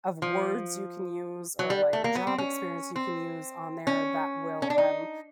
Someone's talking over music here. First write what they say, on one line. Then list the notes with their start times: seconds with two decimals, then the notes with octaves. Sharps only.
of words you can use or, like, job experience you can use on there that will, um,
0.22 F3
1.59 F#3
1.70 G3
1.93 A3
2.04 A#3
2.15 B3
2.27 C4
2.38 C#4
2.96 C4
3.87 C#4
4.62 C#4
4.70 D4
4.78 D#4